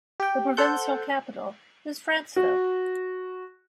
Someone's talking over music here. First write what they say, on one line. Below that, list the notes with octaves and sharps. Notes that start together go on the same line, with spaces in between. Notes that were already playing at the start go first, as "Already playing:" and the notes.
The provincial capital is Franceville.
G4 G5
A4 C5 F#5 G6
F#4